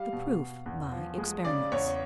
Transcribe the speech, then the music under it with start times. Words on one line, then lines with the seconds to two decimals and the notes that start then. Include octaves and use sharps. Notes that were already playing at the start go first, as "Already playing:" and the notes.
The PROOF by Experiments.
Already playing: G3 F5
0.13 B2
0.39 B2
0.66 E2
0.92 F3
1.18 G#3
1.45 C#3 D5
1.72 E2 C#5